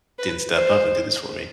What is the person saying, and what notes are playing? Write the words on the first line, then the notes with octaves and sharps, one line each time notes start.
didn't step up and do this for me.
B4
C5